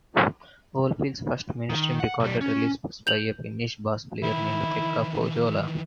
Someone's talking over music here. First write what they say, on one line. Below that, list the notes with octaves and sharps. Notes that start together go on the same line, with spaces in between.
Oldfield's first mainstream recorded release was by a Finnish bass player named Pekka Pohjola.
D#3
F#5
B1 G3
C#4
G6 F7 F#7
D#3 E3 E4